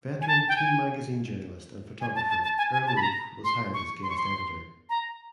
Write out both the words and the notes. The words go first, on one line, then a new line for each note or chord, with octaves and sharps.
Veteran teen magazine journalist and photographer Earl Leaf was hired as guest editor.
G#5
A5
G5
G#5
G#5
A5
A5
A5
G#5
G#5
A5
B5
A#5
C6
C#6
C6
C#6
C6
A#5